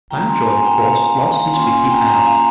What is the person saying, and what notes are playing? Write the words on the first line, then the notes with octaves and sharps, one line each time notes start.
Mountjoy of course lost his fifty pounds.
G3 A#3 C#4 F4 G5 A#5
G#5 C6
G#5 C6
G5 A#5
C#5 F5
A#3 C#4 F4 G#5 C6
G#5 C6
G5 A#5
G5 A#5
F5 G#5